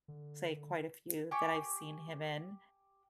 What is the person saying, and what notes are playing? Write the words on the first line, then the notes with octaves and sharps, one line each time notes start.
say quite a few that I've seen him in,
D3
G4 G#5 C#6 D6